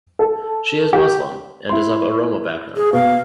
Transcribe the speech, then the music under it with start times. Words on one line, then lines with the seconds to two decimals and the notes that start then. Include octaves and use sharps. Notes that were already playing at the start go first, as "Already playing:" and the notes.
She is Muslim, and is of Oromo background.
0.19 A4
0.93 G4
1.69 E4 C6
2.76 G#4
2.93 B2 F5